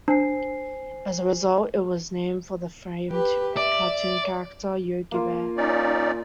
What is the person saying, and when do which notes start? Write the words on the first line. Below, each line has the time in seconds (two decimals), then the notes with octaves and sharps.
As a result, it was named for the famed cartoon character Yogi Bear.
0.08 D4 C5 G#5 C7
3.11 G4 B4
3.57 D5 E5
5.12 A#3 F4
5.57 C#4 D#4 D5